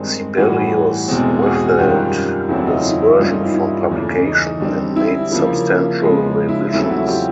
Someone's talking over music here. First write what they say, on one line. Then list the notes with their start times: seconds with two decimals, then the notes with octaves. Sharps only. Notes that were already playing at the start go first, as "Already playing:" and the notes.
Sibelius withheld this version from publication and made substantial revisions.
Already playing: G2 D#3 G#3 C4 G#4 A#4
0.37 A2 E3 G3 F#4 G#4
1.08 E2 B2 G#3 C4
1.42 F#4 G#4
1.55 F#4 G#4
1.66 F#4 G#4
1.78 F#2 D#3 G3 F4 G4
2.48 E2 C#3 F#3 A3 C4 E4 F#4
2.66 D#4 F4
2.84 E4
3.02 E4
3.19 G2 E3 G3 A#3 C#4 D#4 F4
3.31 D#4 F4
3.43 E4
3.54 E4
3.90 E2 C#3 E3 A3 C#4
4.25 D#4
4.60 D3 G3 C4
4.96 E4
5.31 C#3 F3 A#3
6.02 C#3 F3 G#3
6.48 E4
6.61 E4
6.72 E2 C#3 F#3 A3 C4 E4
6.89 E4 F#4
7.07 F4 G4